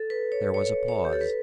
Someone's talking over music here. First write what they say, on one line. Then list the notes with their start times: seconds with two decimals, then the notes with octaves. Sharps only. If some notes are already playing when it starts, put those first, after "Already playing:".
There was a pause.
Already playing: A4
0.10 B4
0.32 C#5
0.54 C#5
0.88 C#5
1.05 G4
1.13 A4
1.21 B4